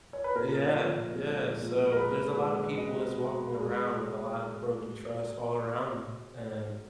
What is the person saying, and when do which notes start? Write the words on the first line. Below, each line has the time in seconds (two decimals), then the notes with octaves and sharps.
Uh, yeah yeah, so there's a lot of people that's walking around with a lot of broken trust all around them, and
0.13 C#5
0.24 B4
0.35 A#2 A#4
0.76 F3
1.16 G#3
1.56 A#2
1.92 A#4
1.97 G#3 B4
2.37 G#3
2.77 B2 D#5
3.18 B2
3.58 G#3